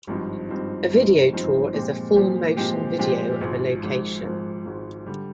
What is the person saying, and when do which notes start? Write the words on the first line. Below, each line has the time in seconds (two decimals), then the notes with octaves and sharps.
A video tour is a full motion video of a location.
0.07 G#1 G2 F3 C4 D#4
0.49 G#1 G2 F3 C4 D#4
0.90 G#1 G2 F3 C4 D#4
1.33 G#1 G2 F3 C4 D#4
1.73 A#2 F3 G#3 C4 G4
2.16 A#2 F3 G#3 C4 G4
2.57 A#2 F3 G#3 C4 G4
2.98 A#2 F3 G#3 C4 G4
3.41 G#1 G#2 F3
3.83 G#1 G#2 F3
4.24 G#1 G#2 F3
4.65 G#1 G#2 F3
5.06 D3 G3